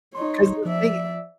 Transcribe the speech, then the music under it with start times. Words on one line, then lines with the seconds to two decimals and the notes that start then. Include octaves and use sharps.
'Cause the thing
0.15 D#4 C#5 C6
0.65 F3 D5 E5